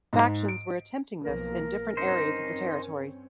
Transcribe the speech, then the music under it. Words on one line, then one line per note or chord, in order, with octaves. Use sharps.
Factions were attempting this in different areas of the territory.
G#2
D7
B1 F3 A#3 A#4
G2 C4 C#4 D#4 C5